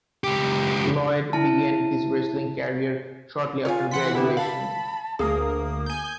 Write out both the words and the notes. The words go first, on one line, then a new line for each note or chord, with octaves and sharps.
Lloyd began his wrestling career shortly after graduation.
C#2 G4
E4 A5
F4 C#5 G#5
E3 F#5 C6 B6
D3 B3 E4 G4
F5 A5 B5
D2 A#3 G#4 D#6
G#5 G6